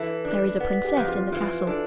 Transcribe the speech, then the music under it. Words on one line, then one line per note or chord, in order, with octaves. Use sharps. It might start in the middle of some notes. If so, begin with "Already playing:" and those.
'There is a princess in the castle.
Already playing: E3 A4
D4
B3
G4
F2
F4
E3 F4
D4 A4